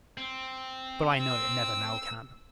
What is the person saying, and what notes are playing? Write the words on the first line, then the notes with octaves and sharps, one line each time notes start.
But, I know, it never now can.
C4
E6